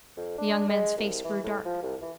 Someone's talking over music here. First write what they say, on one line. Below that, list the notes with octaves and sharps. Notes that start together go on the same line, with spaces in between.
The young man's face grew dark.
F2
D4
G#3
C2
E3
A2
F3
C2
E3